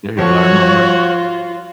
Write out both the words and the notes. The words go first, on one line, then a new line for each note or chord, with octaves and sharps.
there you go. I remember.
F3 F#4 A4 C#5
F4